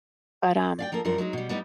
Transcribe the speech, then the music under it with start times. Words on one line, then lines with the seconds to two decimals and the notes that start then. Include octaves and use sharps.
but, um,
0.79 D5 F5 G5
0.92 F3 A#3 A4 A#4
1.05 F#2 F3 G3 A#4
1.18 F#3 G#3 D4 D#4
1.33 B2 G3
1.49 G3 B3 D#4 E4